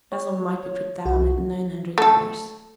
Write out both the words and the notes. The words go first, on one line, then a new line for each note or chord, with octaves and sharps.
Bazil might be put down at nine hundred dollars.
C#5
C2 F#4
A3 A4